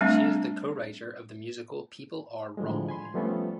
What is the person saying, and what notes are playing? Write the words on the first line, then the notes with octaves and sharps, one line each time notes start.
She is the co-writer of the musical People Are Wrong!
G3 A3 C4 D4
A2 D3 E3 F3 G3 G#3
G#5 B5 C6
F3 G3 A3 B3 C#4 A4